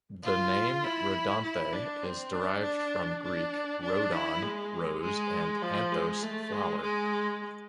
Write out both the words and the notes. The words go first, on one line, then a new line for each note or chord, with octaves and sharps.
The name "Rhodanthe" is derived from Greek "rhodon", rose and "anthos", flower.
F4
E4
E4
D4
C4
D4
D4
D4
D4
E4
G#3
G#3
F3
G#3
A3
G#3
G#3